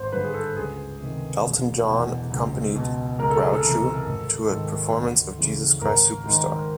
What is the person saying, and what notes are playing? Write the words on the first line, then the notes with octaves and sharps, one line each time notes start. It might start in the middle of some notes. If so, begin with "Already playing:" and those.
Elton John accompanied Groucho to a performance of "Jesus Christ Superstar".
Already playing: G#1 C5
G2 D3 B4
G#4
A4
C#2 G#4
C3 D#3
E1
E2 B2
C#2
B2
C#2 A#4
A4
G#4
A4
C3 E3
G#1
G#2 D#3
D2
C#3 E3
G#1 A#4
G#2 D#3